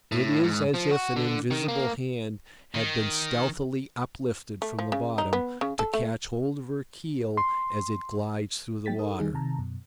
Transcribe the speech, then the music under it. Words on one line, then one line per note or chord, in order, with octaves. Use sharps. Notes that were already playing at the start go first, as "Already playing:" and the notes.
It is as if an invisible hand had been stealthily uplifted from the bottom to catch hold of her keel as it glides through the water.
A2
G#2
F3
F#4
D3
D#3
A#3
D#3
A3
F3
C#3
D#4
B3
C#3
A4
A3
C6
F#3 A#3 G5 A6 B6
D#4 A4 A#4 D#6
D#3 G3 D#4 G#4
C3 D#3 A5 A#5
F#2 B2